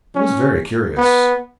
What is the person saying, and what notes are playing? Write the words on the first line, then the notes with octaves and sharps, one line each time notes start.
It was very curious.
C#4
B3